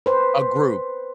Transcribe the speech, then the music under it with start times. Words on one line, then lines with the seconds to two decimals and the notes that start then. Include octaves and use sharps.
A group,
0.06 B4 C5